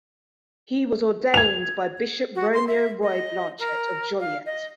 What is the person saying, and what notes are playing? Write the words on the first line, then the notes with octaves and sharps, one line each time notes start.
He was ordained by Bishop Romeo Roy Blanchette of Joliet.
G#6 F7
F#4
C6
E5
D#5
A#4
F5
D#5